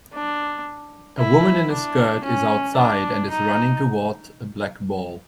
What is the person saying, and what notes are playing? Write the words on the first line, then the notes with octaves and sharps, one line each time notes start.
A woman in a skirt is outside and is running toward a black ball.
D4
E4
D4
C#4
D4
D#4